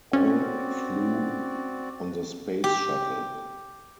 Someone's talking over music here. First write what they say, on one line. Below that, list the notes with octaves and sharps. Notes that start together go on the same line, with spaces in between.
All flew on the Space Shuttle.
C4 C#4 F#4 D5
G4